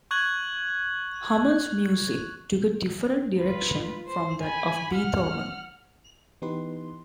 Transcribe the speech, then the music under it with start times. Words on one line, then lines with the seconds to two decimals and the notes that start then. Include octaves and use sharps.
Hummel's music took a different direction from that of Beethoven.
0.11 C#6 F#6 G#6 F#7
3.39 F4 B4
4.07 C5
4.42 G#5 B5
4.93 F#5 F6
6.42 E3 B3 D#4 G4 B4 C6